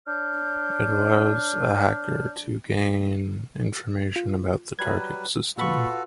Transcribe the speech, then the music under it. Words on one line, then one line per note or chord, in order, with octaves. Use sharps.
It allows a hacker to gain information about the target system.
D4 C#5 F6 G6
F4
F#3 G3 B4 G#6
A#2 F4 F#4 A4 B4 B5 C#6